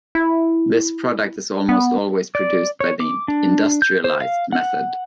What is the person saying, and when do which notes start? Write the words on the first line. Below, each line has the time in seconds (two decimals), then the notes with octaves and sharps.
This product is almost always produced by the industrialized method.
0.15 E4
1.69 B3
2.35 D5
2.80 C#5
3.00 D6
3.28 D4
3.82 G6
4.04 C5
4.21 F5
4.52 F#5